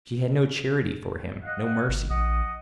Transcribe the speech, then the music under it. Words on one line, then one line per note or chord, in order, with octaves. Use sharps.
She had no charity for him, no mercy.
D#5 F5 F#5
G1
A#1 D#5 F#5 D#6